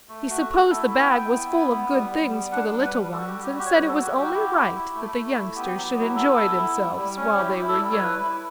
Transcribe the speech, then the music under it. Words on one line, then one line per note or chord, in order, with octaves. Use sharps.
He supposed the bag was full of good things for the little ones and said it was only right that the youngsters should enjoy themselves while they were young.
A3
F#4
A3
E4 A4
B3
G5
B3
E4
B3
B3
G3
G3
G3
D4 F#5
G3
B4
G3
F#4 A4
G4
G3
G4
F#4
G4
C#5
G3 B4
A4
F#4
G4
F#4 G4
E4
E4
E4
A3
A3
E4
B3 G4
F#3
E4 F#4
G4
B3 A4
E4
E4
G3
G3
C#4
E4 G4
E4
A4
G3
C#5
E4 B4
E4